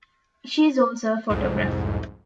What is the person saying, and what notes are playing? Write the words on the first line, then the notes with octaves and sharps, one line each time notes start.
She is also a photographer.
C2 F2 G#2